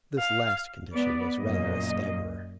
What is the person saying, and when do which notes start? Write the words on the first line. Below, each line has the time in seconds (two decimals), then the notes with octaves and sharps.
This last condition was rather a staggerer.
0.19 F5
0.93 B3 D5
1.39 F#2 A#2 A#3 D#5